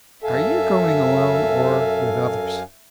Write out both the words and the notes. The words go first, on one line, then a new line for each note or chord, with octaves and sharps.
"Are you going alone or with others?"
F#2 A4 E5 F5 G#5